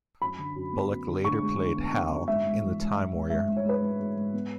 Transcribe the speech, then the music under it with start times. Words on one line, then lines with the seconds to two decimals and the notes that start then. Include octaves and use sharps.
Bulloch later played Hal in "The Time Warrior".
0.21 F#2 B5
0.38 D3
0.56 F#2
0.73 B3
0.90 F#2
1.07 D3
1.25 D3 C#6
1.42 G#3
1.59 D3
1.76 B3
1.93 B3
2.11 F#2
2.28 G#2 E5
2.45 G#2
2.62 E3
2.79 G#2
2.97 G#2
3.14 G#3
3.30 G#2 E5
3.48 G#2
3.56 C#5
3.65 G#3 B4
3.82 G#2
4.00 G#3
4.17 G#2
4.33 B3